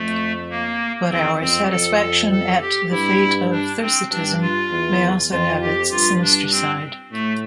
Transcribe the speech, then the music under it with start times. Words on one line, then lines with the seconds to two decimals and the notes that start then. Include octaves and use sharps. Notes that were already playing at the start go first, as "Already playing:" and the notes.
But our satisfaction at the fate of Thersitism may also have its sinister side.
Already playing: F2 A3
0.51 A#3
1.10 E2 C4
1.40 F2 C4
1.71 F2 A4
2.01 A4
2.31 A4
2.61 G4
2.91 G2 E4
3.51 D4
3.81 C4
4.11 G2 D4
4.41 F4
4.71 E2
5.31 F2 F4
5.61 G4
5.91 G2 F4
6.22 D4
6.51 C4
7.12 A2 A3